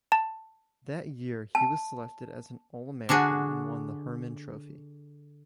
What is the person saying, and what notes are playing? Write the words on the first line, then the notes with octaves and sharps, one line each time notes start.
That year, he was selected as an All-American and won the Hermann Trophy.
A5
A5
D3 D4 F#4 G#4